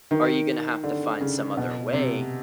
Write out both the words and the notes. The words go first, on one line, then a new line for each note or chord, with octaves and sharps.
Are you gonna have to find some other way
D#3
D3
C#3
B2
C3